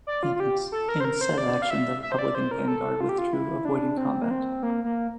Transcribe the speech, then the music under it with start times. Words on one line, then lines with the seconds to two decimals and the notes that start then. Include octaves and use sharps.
In said action, the Republican vanguard withdrew avoiding combat.
0.07 D5
0.23 F4
0.36 F4
0.40 G4
0.72 A4
0.89 A#4
1.00 C5
1.05 A#4
1.21 C5
1.38 D5
1.62 F5
1.70 E5
2.02 E5
2.12 C5
2.19 D5
2.35 C5
2.51 A#4
2.68 A4
3.01 F4
3.09 G4
3.18 F4
3.33 E4
3.65 D4
3.97 C4
4.22 A#3
4.31 C4
4.63 A#3
4.84 A#3